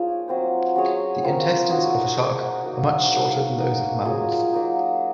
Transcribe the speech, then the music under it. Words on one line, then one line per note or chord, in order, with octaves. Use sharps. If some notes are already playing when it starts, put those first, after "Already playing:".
The intestines of a shark are much shorter than those of mammals.
Already playing: F3 A#3 D#4 F4 G#4 C#5
F#3 C4 F4 C5
F#3 C#4 G#4 C#5
C4 F4 A#4
D#4 F#4 C#5
D#4 G#4 C5
F#3 A#3 D#4 F#4
A#3 D#4 F#4
A#3 D#4 A#4 D#5
F#3 C#4 F4 G#4
F#3 A#3 D#4